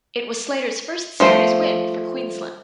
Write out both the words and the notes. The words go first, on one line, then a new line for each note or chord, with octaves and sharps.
It was Slater's first series win for Queensland.
F3 A3 C5